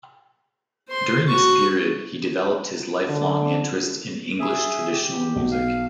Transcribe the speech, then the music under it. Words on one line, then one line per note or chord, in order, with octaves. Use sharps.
During this period he developed his lifelong interest in English traditional music.
C5 C6
F#4 C#6
D3
G#4 E5
G4
B1
F5